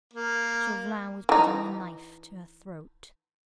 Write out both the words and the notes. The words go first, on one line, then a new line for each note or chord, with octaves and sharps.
Chauvelin was putting the knife to her throat.
A#3
E3 D#4